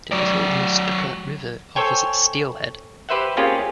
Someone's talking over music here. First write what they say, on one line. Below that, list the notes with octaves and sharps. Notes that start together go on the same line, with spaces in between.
The Little Nestucca River offers steelhead.
F#3 D5
A4 C5 C#5 G5 G#5
G4 B4 C5 E5 F#5
A#3 C4 C#4 F4 G4 G#4